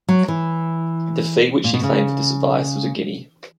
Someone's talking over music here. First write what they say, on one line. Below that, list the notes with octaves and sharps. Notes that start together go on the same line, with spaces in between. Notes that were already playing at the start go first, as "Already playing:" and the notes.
The fee which he claimed for this advice was a guinea.
F#3
E3
A#2
B2
C#3